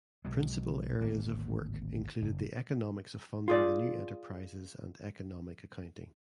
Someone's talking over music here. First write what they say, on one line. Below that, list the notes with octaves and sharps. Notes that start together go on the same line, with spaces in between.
Principal areas of work included the Economics of Funding new enterprises and Economic Accounting.
B1 F#3 G#3
D1 G#1 A#3
F#1
F4 G#4 D5